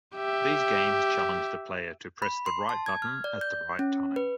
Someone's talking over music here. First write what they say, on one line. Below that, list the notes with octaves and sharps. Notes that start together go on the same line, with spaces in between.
These games challenge the player to press the right button at the right time.
G4 E5
B5
C6
A5
G#6
F6
D5
G6
C#4
B4